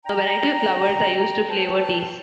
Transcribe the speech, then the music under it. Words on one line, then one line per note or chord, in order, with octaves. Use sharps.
A variety of flowers are used to flavour teas.
D4 G5 A#5
C4 B4 C5 A5